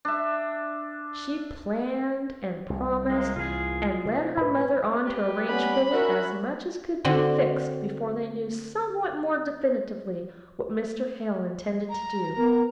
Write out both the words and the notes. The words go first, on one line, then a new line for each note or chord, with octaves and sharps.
She planned and promised, and led her mother on to arrange fully as much as could be fixed before they knew somewhat more definitively what Mr. Hale intended to do.
D4 E5
C2
G#3 A#3
C2 E3 F4 G#4
C3
A2 B4 B5
G4 B4
G3 B3 C#4 B5
C#4 F#4 A#4 E5
D3 C4 F#4
A#5
B3 A#4